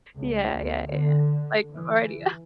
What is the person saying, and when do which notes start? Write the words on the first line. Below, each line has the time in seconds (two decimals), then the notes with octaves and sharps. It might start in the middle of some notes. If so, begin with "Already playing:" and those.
Yeah, yeah, yeah, yeah, like, already up.
0.18 C#2
0.57 D2
0.91 D3
1.72 E3